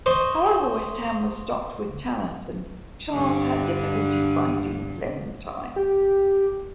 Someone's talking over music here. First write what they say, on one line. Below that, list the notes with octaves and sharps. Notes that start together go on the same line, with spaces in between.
However, West Ham was stocked with talent and Charles had difficulty finding playing time.
C5 D#5 C#6
G2 D3
G4